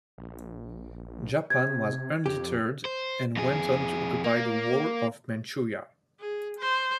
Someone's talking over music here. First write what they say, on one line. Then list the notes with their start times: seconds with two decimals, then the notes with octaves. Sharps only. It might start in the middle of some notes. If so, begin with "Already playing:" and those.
Japan was undeterred and went on to occupy the whole of Manchuria.
0.18 A#1
1.50 C3 G#6
2.26 F2 G4
2.85 C5
3.37 F2 G#4
4.24 A#3
6.20 G#4
6.59 C5